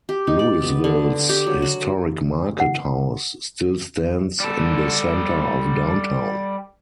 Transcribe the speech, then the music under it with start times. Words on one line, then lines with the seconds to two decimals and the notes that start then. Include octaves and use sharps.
Louisville's historic market house still stands in the center of downtown.
0.09 G4
0.27 D#4
0.39 D5
0.62 B3
0.84 D3
1.29 G4
1.47 F#3
1.62 F#4
2.60 F#5
4.40 G3 A4